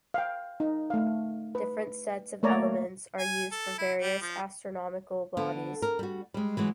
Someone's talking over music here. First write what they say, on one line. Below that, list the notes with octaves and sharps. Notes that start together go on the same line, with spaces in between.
Different sets of elements are used for various astronomical bodies.
F5 G5
D#4
A3 F5
B4
A3 A#3 C#5 D5 A#5
G#5
A4
E4
G3
F3
D3 B3
A#4
G3 F#4
G3 G#3
E3 F#3 G#3